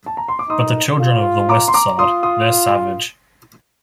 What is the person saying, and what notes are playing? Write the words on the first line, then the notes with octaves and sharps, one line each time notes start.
But the children of the West Side - they're savage.
A5
A#5
C6
D6
D#4 C6 D#6
F4
A#5 D6
C6
A#5 D6
F4 C6 D#6
C6 D#6